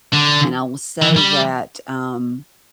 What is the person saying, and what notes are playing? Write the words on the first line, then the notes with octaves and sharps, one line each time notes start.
And I will say that, um
D3
E3
G3